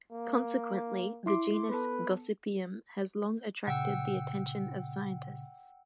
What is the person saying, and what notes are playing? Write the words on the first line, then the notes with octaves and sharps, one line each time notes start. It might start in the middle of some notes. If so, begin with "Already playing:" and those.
Consequently, the genus "Gossypium" has long attracted the attention of scientists.
A#3
E4 C6 D6
B3 A4 B4
A#2 C#3 F#5 G5 E6